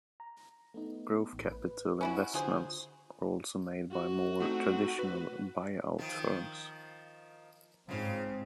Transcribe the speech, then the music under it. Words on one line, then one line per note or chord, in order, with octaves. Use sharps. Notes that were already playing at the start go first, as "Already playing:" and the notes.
Growth capital investments are also made by more traditional buyout firms.
A#5
A3 B3 D#4
A1
B4
C#4 E4 F#4
D3 F#3 F4 G#4 C5
F#4
A3 C4 D#4
B4
D#3 F3
G#2 C#3 C4 F4